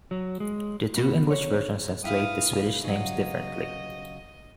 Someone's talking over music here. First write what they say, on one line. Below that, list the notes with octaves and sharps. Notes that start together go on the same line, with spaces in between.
The two English versions translate the Swedish names differently.
F#3
G#3
B3
C#5
E4 E5 F5 G5 D#6
C#3 F#3 D#5